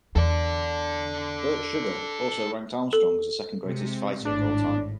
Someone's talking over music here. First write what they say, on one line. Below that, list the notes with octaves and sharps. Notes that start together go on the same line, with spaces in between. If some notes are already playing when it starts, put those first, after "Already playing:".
Bert Sugar also ranked Armstrong as the second-greatest fighter of all time.
E2 A4 D5
A4
C3 G#3
G#1 A2 D4